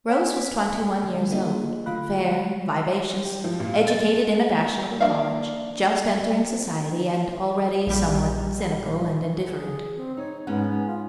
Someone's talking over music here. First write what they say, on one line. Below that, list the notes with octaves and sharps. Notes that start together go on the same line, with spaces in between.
Rose was twenty-one years old, fair, vivacious, educated in a fashionable college, just entering society and already somewhat cynical and indifferent.
C#5 G#5 B6
D3 G3 A3
F#3 A#3 D4 F4 G#4 D#5
D3 A3 F4 F5 B5 F#6
G4
F3
A#2
F5
A6
A#3 D4 F#4 E5 F5
A#1 G3
G#4
C4
D#4 C#5
G#2 B3 C#4 F#5
F4